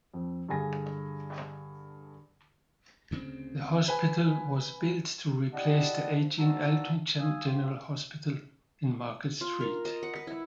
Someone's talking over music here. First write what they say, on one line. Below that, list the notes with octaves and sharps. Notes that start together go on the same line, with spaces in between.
The hospital was built to replace the aging Altrincham General Hospital in Market Street.
F2
G2 D3 G#4 G#5 A#6
D2 C#3 B3 C4
B4 G#5
D4 E4 G4 D#5 F#5 A5
F3
A#2 E3 F#4 A5 A#5 E6
F5 G#5 D#6 E6
G#2 F4 G4
F4
A#4
D#5
F#5
B4
E4